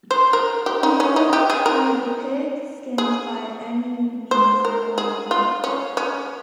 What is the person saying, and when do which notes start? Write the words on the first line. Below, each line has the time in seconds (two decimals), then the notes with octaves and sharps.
Neither are the pig-skins by any means ornamental.
0.11 C5
0.33 A#4
0.66 G4
0.83 D#4
1.00 C#4
1.16 D#4
1.33 G4
1.50 G#4
1.66 A#4
2.98 G#4
4.31 C5
4.65 A#4
4.98 G#4
5.31 F4
5.64 C#4
5.97 C#4